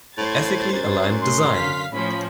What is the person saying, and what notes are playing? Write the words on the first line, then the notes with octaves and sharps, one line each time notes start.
Ethically Aligned Design.
A2 C5 G#6 A6
F#2
A2 C6
D3 F5 B6
A2 F3 C#4 B5